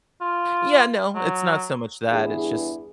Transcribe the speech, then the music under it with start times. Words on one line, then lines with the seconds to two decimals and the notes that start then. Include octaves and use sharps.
Yeah, no. It's not so much that. It's just
0.21 F4
1.15 F#3
2.09 E2 G2 E4 G#4